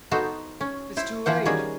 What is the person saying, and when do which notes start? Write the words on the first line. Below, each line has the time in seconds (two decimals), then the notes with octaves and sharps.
"It's too late!"
0.11 B3 D#4 F#4 A4 C5
0.61 C#4
0.97 E4 C5
1.26 E3 F3 C5 F#5
1.45 D#3 G3 C#4 F#4 G#4